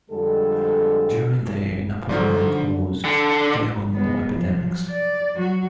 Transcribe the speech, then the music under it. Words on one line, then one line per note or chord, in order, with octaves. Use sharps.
During the Napoleonic wars there were more epidemics.
F2 D3 G3 G#3 F4 A4
G#2 D3 F3 F#3
D3
G#3 B3
F3 F#3
D5
F#3 F#4